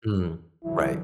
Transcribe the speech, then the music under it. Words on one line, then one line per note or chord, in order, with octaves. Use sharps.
Mm, right.
D3 E3 F#3 E4